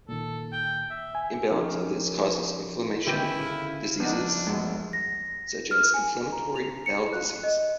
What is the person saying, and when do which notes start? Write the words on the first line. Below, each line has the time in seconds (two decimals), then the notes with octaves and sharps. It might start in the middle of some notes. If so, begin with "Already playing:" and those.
Imbalance of this causes inflammation diseases such as inflammatory bowel disease.
0.09 A#2 D#3 A4
0.52 G5
0.90 E5
1.15 G#5
1.50 F3 C#4 D#4 G4 A#4 C#5
3.07 D3 D#3 B3 C#4 E4 G4
3.39 C#3
4.00 F3 B3 D4 D#4
4.47 E1 D2 G2 G#3
4.93 A#6
5.71 F6
5.94 G#5
6.32 A#5
6.56 F7
6.86 C#7
7.13 F#6
7.43 D#5